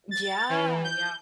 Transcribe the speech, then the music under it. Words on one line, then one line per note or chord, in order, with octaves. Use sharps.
Yeah, yeah.
A6
E3
G6